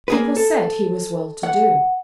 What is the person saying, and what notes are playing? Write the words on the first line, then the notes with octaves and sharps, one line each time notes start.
People said he was well-to-do.
A#3 G#4 B4
A4
F#5